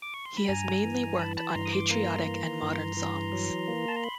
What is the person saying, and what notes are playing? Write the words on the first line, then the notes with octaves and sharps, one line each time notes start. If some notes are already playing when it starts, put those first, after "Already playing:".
He has mainly worked on patriotic and modern songs.
D6
C#6
C6
B5
G2 G#5 A#5
E3
E3 A5 B5
A5 B5
B5
G2 A#5 C6
D#6
C6 D6
A#3 A#5 C6
E3
G2
E3
F#3
A#3
A5
A#5
B5